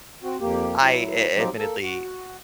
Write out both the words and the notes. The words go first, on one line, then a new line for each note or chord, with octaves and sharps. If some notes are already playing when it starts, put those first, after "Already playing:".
I a admittedly,
C4 F#4
F2 A#3 G4
F#3 E4
F3 F#3 C4 D#4 G4
A#3 A4
F#4